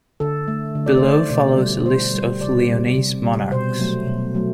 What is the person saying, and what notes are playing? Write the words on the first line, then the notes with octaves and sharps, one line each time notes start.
Below follows a list of Leonese monarchs.
D3 A4
A3
D3
D5
C5
A3
D5
B2 D5
G3
B2 C5
G3
C3 D5
G3
C3
G3
B2 C5
F#3 A3
B2
F#3 A3